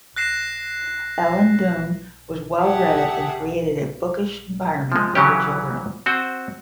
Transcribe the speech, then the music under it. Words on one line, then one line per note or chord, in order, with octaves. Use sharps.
Ellen Dunne was well-read, and created a bookish environment for her children.
F#6 A#6 C7 E7
G4 G#4 E5 F#5 A5
F3 G#3
C#3 E3 F#3 C#4 G4
C4 F#4 C5